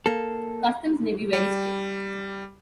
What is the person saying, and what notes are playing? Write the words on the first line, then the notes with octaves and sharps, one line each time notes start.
Customs may be very strict.
A#3 A4
G3